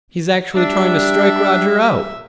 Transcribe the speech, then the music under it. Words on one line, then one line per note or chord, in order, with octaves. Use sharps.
"He's actually trying to strike Roger out!"
G3 D4 E5